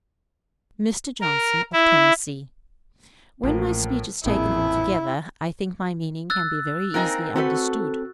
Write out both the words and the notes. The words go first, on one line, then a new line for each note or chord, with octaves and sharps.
Mr. Johnson, of Tennessee: When my speech is taken altogether, I think my meaning can be very easily understood.
A#4
E4
A1 A2 F3 A#3
A1 F2 A#2 A#3 E4 G#4
E6 F#6 A6
A#3 C4 D#4 A#4 G#5 A#5 F#6
A3 C4 F#4 A4 B4